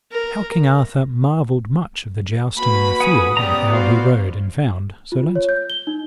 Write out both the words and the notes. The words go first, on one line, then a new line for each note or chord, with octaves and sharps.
How King Arthur marvelled much of the jousting in the field, and how he rode and found Sir Launcelot.
A#4
A#3 F#4 B4 B5
F#5 G#5 D#6
G#2 C#3 B3 G4 D5 A#5
F#4 C5 F5
F4
C#5
G6
G7
D#4